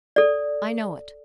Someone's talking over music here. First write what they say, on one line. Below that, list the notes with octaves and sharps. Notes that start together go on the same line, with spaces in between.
I know it.
A4 D5